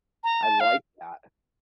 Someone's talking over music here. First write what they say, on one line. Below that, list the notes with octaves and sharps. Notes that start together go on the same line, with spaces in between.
I like that.
A#5
A5
F5